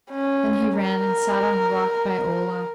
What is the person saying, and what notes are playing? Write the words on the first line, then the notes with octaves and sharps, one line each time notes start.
Then he ran and sat on a rock by Olaf.
C#4
A#4